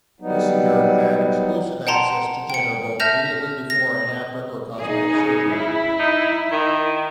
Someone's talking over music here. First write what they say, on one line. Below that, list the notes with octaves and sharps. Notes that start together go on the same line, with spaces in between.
Bissinger had exclusive access to Jenner both immediately before and after her cosmetic surgery.
F#3 G3 B3 D#4
F#5 G5 A5 A#5 C6
G5 C#7
E5 A5 F6 G6 A#6 F7
A#6
D#4 G#4
C#3
E4
D#4
D#3